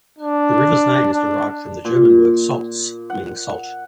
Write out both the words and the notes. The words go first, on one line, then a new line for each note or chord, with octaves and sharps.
The river's name is derived from the German word "Salz", meaning salt.
D4
D4
A#2
F#5